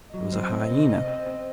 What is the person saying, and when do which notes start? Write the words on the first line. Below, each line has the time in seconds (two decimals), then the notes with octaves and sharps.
It was a hyena.
0.13 F#3 D#5
0.32 C4
0.51 C4
0.70 C3
0.89 C4
1.08 C4
1.27 C4